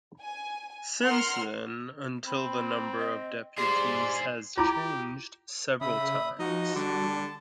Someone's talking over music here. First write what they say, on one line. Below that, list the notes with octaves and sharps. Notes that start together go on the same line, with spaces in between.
Since then until the number of deputies has changed several times.
G#5
A#4 F#5 C6 F6
C4 B5
D#5
G4 G#4 C5 D5 C6
E4 F4 G4 A#5 D6
C#3 E5 B5 D#6
F3 D#4 F#4 D#5
D3 G3 A5